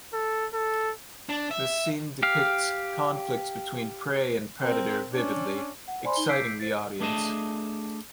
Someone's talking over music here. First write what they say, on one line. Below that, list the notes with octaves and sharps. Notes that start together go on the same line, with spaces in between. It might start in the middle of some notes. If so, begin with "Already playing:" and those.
This scene depicts conflicts between prey and predator vividly, exciting the audience.
A4
A4
D4
E5
G4 F5
C4 A#4
C#4 D4
F#5
C5 D5 G#5 B5 C6
D#4 G7
D6 E6 G6 B6 C7 D7
C5 A6
A3 D4 G#4 D#5 A5